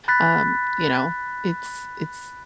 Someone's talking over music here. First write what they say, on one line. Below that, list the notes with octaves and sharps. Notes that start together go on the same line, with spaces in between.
um, you know, it's it's
B5 F#6 A6 B6